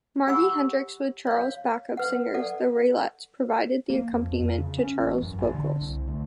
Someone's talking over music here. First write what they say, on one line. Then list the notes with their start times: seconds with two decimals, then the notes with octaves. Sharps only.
Margie Hendricks with Charles' backup singers the Raelettes provided the accompaniment to Charles' vocals.
0.27 G4 F#5 G#5 B5 C#6 E6
1.27 C#5 F5
1.97 B4 F#5
2.34 A4 D5 F#5
3.90 A#3
4.13 F2
4.32 F2
4.58 C#3
4.78 C#4
5.00 A1
5.23 F#2
5.38 A1
5.55 D3
5.81 C2
6.07 D2